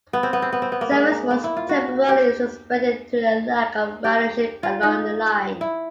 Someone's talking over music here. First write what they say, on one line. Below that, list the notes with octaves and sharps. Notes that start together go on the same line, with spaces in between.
Service was "temporarily" suspended due to a lack of ridership along the line.
B3
C4
B3
C4
B3
C4
B3
A#3
G#3
A#3
E4
F4
F#4
G4
G4
F4
D#4
E4